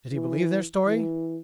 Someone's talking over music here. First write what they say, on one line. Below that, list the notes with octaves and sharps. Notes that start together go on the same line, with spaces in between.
Did he believe their story?
E3
E3